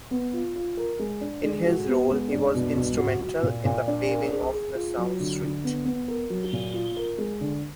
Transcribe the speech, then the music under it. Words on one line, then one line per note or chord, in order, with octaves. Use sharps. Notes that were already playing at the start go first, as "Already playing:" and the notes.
In his role he was instrumental in the paving of Nassau Street.
B3
F4
F4
A#4
G#3
D4
G#3
F#4
B3
G#3
D4
B2
B2
F#4
F#4
A#2
A#2
D4
A#4
G#4
G#4
F4
F#3
D3
D3
B3
B3
A#4
F#3
A#2
F4
A#4
G#3
D3